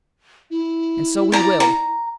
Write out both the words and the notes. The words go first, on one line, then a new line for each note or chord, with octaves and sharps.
And so we will!
E4
D5 A#5
A#5